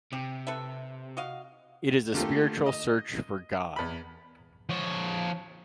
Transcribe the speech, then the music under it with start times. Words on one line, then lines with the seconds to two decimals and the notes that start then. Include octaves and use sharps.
It is a spiritual search for god.
0.13 C3 G4
0.47 A4 B4 E5
1.17 F#4 D#5 F5
2.14 D3 A3 A#3 F4 G4 A4
2.66 D#5
3.76 E2 B5
4.70 F3 C#5